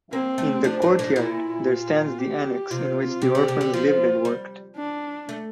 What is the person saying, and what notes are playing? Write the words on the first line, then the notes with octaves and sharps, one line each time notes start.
In the "Courtyard" there stands the annex in which the orphans lived and worked.
A#3 C4
A3
F3 D4
A2
A2
A#2 E4
F4
G4
C3 F4
C3 G4
D3
C3
D3
F3 F4
G3
D4
A3